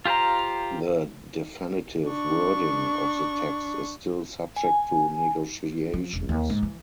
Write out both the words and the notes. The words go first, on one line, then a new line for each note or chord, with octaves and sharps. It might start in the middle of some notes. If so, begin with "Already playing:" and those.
The definitive wording of the text is still subject to negotiations.
F4 G4 C5 F5 A#5
D4 C#6
G#5
F3
E1
D#2
G#2
E3